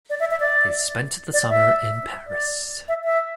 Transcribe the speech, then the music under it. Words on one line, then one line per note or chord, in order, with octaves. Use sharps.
They spent the summer in Paris.
D5
E5
E5
D5
D5
E5
D5
E5
E5